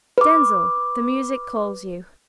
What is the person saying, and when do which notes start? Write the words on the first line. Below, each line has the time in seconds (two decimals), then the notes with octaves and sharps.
Denzil, the music calls you.
0.18 B4 D6